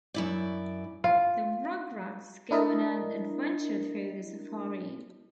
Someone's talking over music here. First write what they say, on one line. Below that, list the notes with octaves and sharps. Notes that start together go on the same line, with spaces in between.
The Rugrats go on an adventure through the safari.
F#2 E4 D5
F4
D4 E4 A#4 D#5